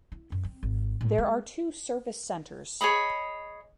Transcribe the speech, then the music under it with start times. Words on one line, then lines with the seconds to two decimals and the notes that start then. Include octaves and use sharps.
There are two Service Centers.
0.12 E4
0.32 F#2
0.44 C4
0.63 G#1
1.01 A2
1.18 G#3
2.81 G#4 C#5 D#5 B5